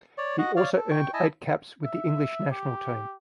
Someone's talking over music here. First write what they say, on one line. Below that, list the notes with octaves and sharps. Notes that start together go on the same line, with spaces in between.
He also earned eight caps with the English national team.
C#5 D5
F#4 D#5 F#5
C#5 D5 F5
A4
G5 C#6
E4 D#5 G#5 A5
E5
G4